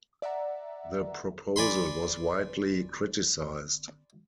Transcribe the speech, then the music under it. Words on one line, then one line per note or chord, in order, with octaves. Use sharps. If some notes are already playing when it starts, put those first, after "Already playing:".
The proposal was widely criticised.
D5 E5 F#5 A#5
D5 G#5 B5 C6